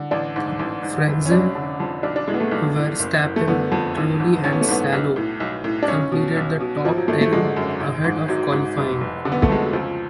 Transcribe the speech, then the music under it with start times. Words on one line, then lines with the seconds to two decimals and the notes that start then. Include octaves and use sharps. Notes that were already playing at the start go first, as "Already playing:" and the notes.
Frentzen, Verstappen, Trulli and Salo completed the top ten ahead of qualifying.
Already playing: D3
0.11 A1 D4
0.36 G#2
0.59 A1
0.83 G#2
1.07 F1
1.26 C#4
1.31 F1 D4
1.55 D3
1.80 F2
2.03 B1 D4
2.16 D4
2.28 A2 G#3
2.34 B3
2.40 A3
2.51 B1
2.76 A2
2.99 F#1
3.23 F#1
3.36 A3
3.48 D3 B3
3.72 F2
3.97 A1
4.20 G#2
4.44 A1 C#4
4.52 B3
4.61 A3
4.68 G#2 B3
4.92 B1
5.16 A2
5.40 B1
5.64 A2
5.83 D4
5.88 B1 C#4
6.12 B2
6.36 B1
6.60 B2
6.84 G#1 F3
6.97 F#3
7.08 G#1 A3
7.21 A3
7.33 D3 G#3
7.56 F#2
7.80 G#1
8.04 G#2
8.28 G#1 F#3
8.52 G#2
8.77 F1
9.01 F1
9.25 D3
9.32 B3
9.42 A3
9.49 F2 G#3
9.63 F#3
9.73 C#2 F3